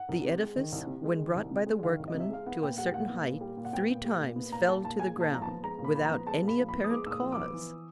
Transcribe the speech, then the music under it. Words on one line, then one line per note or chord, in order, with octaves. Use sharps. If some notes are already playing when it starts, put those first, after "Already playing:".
The edifice, when brought by the workmen to a certain height, three times fell to the ground, without any apparent cause.
Already playing: F#5
C2
C3
G#3
D#3
C2
C3
G#3
D#3
C2
C3
G#3
D#3 F5
C2
D#5
C3
E5
G#3 F5
B3 F#5
A#2 G5
G3 F#5
G5
A#2 F#5
B3
A#2
G3
A#2
F#5
B3 G5
A#2
G3
A#2
B3
A#2 A#5
G3 A5
A#2 A5
G#3 G#5
A#2 A5
F3 A#5
A5
B3
G#3 A#5
A#2
B5
F3 B5
A#5
B3
G#3 A5
A#2 B5
F3
B5
B3
D#6
G#3 D6
A#2 D#6 E6
F3
B3 D6
E3